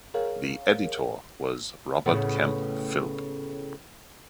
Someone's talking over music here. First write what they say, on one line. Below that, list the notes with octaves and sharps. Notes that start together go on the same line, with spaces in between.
The editor was Robert Kemp Philp.
G#4 A#4 C#5 F5
A2 C#3 B3